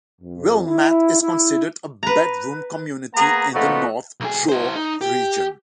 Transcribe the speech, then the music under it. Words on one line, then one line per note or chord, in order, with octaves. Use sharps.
Wilmette is considered a bedroom community in the North Shore region.
F2
E4
E4
B4 A#5
A#3 B3 G#4 A#5
A#2 F3 A3 B3 D#4 F#4
B1 G#4
E4 C5
D#4
G4